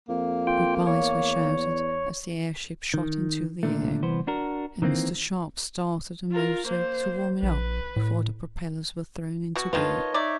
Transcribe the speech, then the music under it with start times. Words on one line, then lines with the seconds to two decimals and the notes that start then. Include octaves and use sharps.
Good-bys were shouted as the airship shot into the air, and Mr. Sharp started the motor, to warm it up before the propellers were thrown into gear.
0.09 F2 A#3
0.47 F4 G5
0.87 E2 C#5
2.94 D#3
3.63 A#2 D3 A3
4.02 C2 E3 B3 C5
4.27 D4 F#4 A#4
4.82 D#3 E3 A#3 C4 F4
6.31 F4 A#4
6.67 A#3 C5
7.42 A#1 B4
7.96 A2
9.55 B2 F#4
9.73 D#3 F4 B4 C#5 D#5 A5
10.14 D#4 C#5 D5 E5